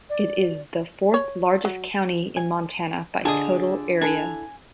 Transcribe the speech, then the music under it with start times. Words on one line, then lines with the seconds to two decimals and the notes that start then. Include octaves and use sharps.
It is the fourth-largest county in Montana by total area.
0.10 D5
1.14 C#5
1.65 F#3
2.37 G#5
3.25 D3 F4 G#4 D#5 G#5 A5 D#6
4.01 D4 E4 A4 G#5